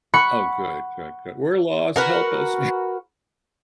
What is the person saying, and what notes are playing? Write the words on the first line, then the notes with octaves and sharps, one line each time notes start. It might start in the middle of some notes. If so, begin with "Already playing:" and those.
Oh, good, good, good. "We're lost. Help us."
F#5 B5 C#6 C#7
F#4 A#4 B4